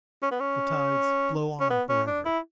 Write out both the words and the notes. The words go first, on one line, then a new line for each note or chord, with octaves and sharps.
The tides flow on forever.
C#4
B3
C#4
C#4
B3
C#4
D4
E4